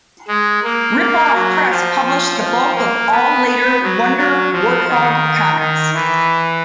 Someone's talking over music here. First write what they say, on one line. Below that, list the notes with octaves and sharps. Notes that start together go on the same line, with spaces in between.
Rip Off Press published the bulk of all later Wonder Wart-Hog comics.
G#3
A#3
A#3
F#3
F3
F3
F3
A#3
B3
B3
F#3
F#3
F3
D#3
D#3
E3